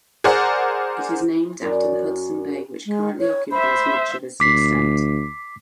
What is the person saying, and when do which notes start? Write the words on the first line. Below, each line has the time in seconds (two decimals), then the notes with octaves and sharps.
It is named after the Hudson Bay, which currently occupies much of its extent.
0.24 G#4 A#4 C5 D5 F#5
1.61 F#2 D5
2.86 G#3
3.20 C#5
3.51 C5 E5 B5
4.40 D2 D6 B6 C7